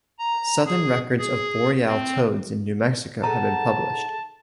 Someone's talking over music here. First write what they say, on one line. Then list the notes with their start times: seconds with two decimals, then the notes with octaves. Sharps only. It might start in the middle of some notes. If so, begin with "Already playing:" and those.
Southern records of boreal toads in New Mexico have been published.
0.19 A#5
0.66 G#4
1.18 G#4
1.87 C4
3.23 D#4 G#4 A4 B4 F#5 A5 A#5